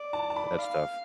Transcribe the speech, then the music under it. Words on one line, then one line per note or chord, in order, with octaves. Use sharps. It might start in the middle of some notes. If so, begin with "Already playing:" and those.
That's tough.
Already playing: D5
A5
A5
B5
F5